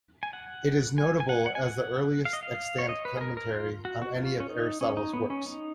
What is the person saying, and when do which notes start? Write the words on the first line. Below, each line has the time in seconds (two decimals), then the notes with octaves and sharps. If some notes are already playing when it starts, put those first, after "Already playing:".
It is notable as the earliest extant commentary on any of Aristotle's works.
0.23 G#5
0.33 F#5
0.98 G#5
1.20 G#5
1.29 F#5
1.46 F#5
1.55 G#5
1.64 F#5
2.25 F5
2.33 D#5
2.43 F5
2.79 C#5
2.89 D#5
3.05 B4
3.17 G#4
3.21 A#4
3.37 A#4
3.54 F4
3.85 F#4
4.02 F#4
4.17 F4
4.40 C#4
4.50 D#4
4.81 C#4
4.97 D#4
5.13 B3
5.30 C#4
5.46 D#4